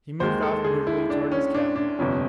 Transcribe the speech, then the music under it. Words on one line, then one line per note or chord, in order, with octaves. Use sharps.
He moved off moodily toward his cabin.
D#2 D#3 G#3 C5
A4
G#4
E4
D4
C#4
D4
D4
G1 F2 C3 C#4